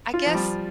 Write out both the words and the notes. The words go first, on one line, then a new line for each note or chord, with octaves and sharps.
I guess,
F4
F3
G3